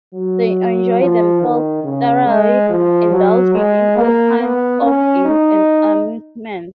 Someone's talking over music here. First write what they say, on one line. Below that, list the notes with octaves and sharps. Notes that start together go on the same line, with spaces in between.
They enjoy themselves thoroughly, indulging in all kinds of games and amusements.
F#3
F3
D#3
C#3
G#3
F3
F#3
G#3
A#3
B3
C#4
D#4